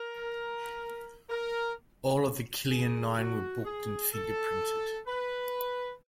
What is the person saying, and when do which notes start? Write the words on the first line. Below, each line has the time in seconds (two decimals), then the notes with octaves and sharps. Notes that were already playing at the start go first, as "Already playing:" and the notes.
All of the "Killian Nine" were booked and fingerprinted.
Already playing: A#4
1.29 A#4
2.70 G#4
3.18 F#4
3.65 G#4
4.13 A4
5.07 B4